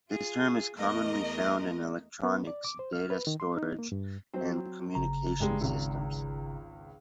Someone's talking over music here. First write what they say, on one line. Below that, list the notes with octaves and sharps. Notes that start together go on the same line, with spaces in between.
This term is commonly found in electronics, data storage, and communications systems.
F4 G#4
E2 A3 A#4 D#5
B3
D5
D6
C5
F6
B4
D#3
C6
D#4
A#3
G2
F#3 C4 C5
G1 C#3 A#5
G2 G3 G#3
G#1 C#2